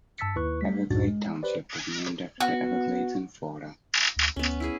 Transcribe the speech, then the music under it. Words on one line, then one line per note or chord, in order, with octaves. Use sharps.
Everglade Township was named after the Everglades in Florida.
G2 A5 E6 A6 B6 C#7
D#2 E4 B4 C#6 F#6
G3 A3 B6
C#2 F#2 A2 D4 F#4 A6
G#3
G4 B4 C5 D5
B3 F#4
D2
D2 B3 C#4
E4 G#4